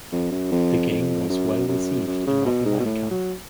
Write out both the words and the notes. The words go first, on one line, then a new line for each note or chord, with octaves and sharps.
The game was well received in North America.
F2
F#2
F2
F2
F#2
F#2
F#2
C#3
B2
G#2
B2
A2
F#3